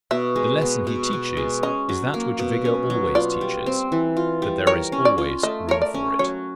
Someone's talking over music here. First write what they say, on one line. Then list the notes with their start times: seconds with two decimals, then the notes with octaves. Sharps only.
The lesson he teaches is that which vigor always teaches--that there is always room for it.
0.11 B2 E5
0.36 G#3
0.62 B3
0.87 B2
1.13 B2
1.37 G#3
1.63 C#4 D#5
1.89 F#3
2.14 A#3
2.39 B2
2.65 C#4
2.90 F#3
3.15 F4 D5
3.41 G3
3.66 C4
3.92 E3
4.17 F4
4.42 G3
4.67 A#4 C#5
4.92 C#4
5.05 D5
5.18 F4
5.43 A3 D#5
5.69 A#4 C#5
5.82 D5
5.94 C#4
6.19 F#3 C#5